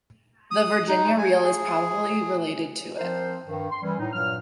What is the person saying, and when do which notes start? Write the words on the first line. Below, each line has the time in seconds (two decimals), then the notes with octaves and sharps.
The Virginia Reel is probably related to it.
0.51 D#6
0.88 D#4
1.18 G#5
1.43 G#4
2.97 F3 C4 A#4 C5
3.46 G2 D#3
3.71 C6
3.83 E3 G3 C#4
3.99 A2 D#4
4.13 G2 A#2 F#3 F6